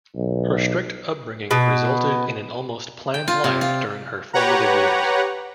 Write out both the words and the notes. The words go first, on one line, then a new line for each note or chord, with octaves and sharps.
Her strict upbringing resulted in an almost planned life during her formative years.
B1
B2
G5
F4
C3
F4
G4 B4 C#5 F#5 A#5